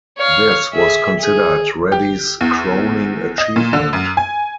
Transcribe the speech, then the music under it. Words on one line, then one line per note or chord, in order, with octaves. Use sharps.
This was considered Reddy's crowning achievement.
C#5 F5
G#4 E5
G#4
G4
E2
D#5
A#2
D3
F#2
G#5